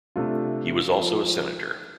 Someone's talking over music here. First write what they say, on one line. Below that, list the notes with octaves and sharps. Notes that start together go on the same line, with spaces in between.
He was also a senator.
C3 A3 D4 F4
F3